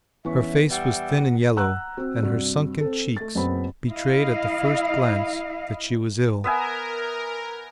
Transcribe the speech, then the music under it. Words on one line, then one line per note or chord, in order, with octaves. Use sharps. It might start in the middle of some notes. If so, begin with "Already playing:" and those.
Her face was thin and yellow, and her sunken cheeks betrayed at the first glance that she was ill.
E2 E3 B3 C#4 E4 E5 C#6
G3 E5 F#5
F#5 A#5 E6 F#6
C4 F#4
G2 C3 F#4
C4 A4
A3 A6
F#1 F#2 B2 B3 C4 B5
E4 D#5 F5
B3 A#4 E5 G#5